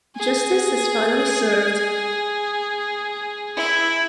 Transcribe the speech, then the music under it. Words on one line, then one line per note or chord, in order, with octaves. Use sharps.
Justice is finally served.
G#4
E4